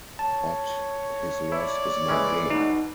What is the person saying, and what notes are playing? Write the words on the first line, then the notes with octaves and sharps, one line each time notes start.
But his loss is my gain.
C#5 A5
E4 D5
E3 G#3 C#4
B2 D#4